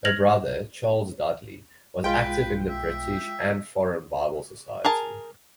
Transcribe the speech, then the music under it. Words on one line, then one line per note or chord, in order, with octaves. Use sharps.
Her brother Charles Dudley was active in the British and Foreign Bible Society.
F6 G#6 A#6 F7 F#7
B1 G#3 F4 B4 G5
E5
G#4 A#4 A5